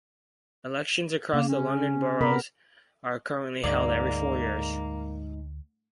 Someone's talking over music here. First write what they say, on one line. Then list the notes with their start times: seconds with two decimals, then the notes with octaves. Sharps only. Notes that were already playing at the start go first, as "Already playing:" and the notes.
Elections across the London Boroughs are currently held every four years.
1.33 C#3 A#3
1.48 C#4
2.21 C3 B3 A#4 B5
3.64 D2 G#2 A#3 D5